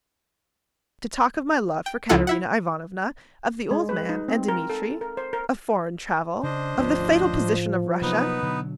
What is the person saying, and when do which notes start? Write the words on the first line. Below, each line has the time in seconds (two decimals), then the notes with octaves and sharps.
To talk of my love for Katerina Ivanovna, of the old man and Dmitri? of foreign travel? of the fatal position of Russia?
1.86 G5
2.09 C#2 F3 E4 F4 A4 F#5
2.27 E4 E5 F#5
3.71 G#3
3.89 B4
4.09 D#4
4.28 C4
4.48 A#4
4.70 A4
5.01 A#4
5.17 C5
5.33 A#4
6.43 C#3 D4 C5 D#5
6.77 G#1 D2 F3 C#4
7.33 A2
8.02 C3 F#3 A#3 B3 D#4 B4
8.43 B2 D3 F#3